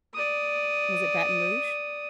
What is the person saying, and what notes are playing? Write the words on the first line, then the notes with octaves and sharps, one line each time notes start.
Was it Baton Rouge?
D5 D#6